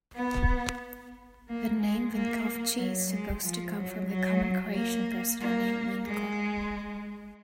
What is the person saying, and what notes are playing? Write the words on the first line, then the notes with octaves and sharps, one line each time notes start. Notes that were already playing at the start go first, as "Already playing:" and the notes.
The name Vinkovci is supposed to come from the common Croatian personal name "Vinko".
B3
A#3
G#3
A#3
F#3
G#3
F3
F#3
F#3
A#3
A#3
G#3